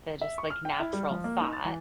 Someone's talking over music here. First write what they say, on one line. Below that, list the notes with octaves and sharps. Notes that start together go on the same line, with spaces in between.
the just, like, natural thought,
E5
C#6
F6
G5
E4
G3
F3
A#3
D#4
A6
E3